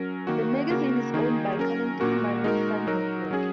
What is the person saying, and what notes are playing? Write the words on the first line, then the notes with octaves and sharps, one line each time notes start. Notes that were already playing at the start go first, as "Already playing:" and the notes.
The magazine is owned by Kalanidhi Maran's Sun Network.
Already playing: F#3 C#4 A#4
D#3 A#3 F#4
C#3 A#3 F#4 A#4
D#3 A#3 D#4 G#4
F#3 C#4 A#4
A#2 A#3 F#4 A#4
G#3 D#4 F#4 A#4
F#3 D#4 F#4 A#4
F#3 C#4 G#4